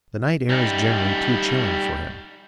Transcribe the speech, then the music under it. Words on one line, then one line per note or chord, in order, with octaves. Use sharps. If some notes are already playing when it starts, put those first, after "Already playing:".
The night air is generally too chilling for him.
G3 D#4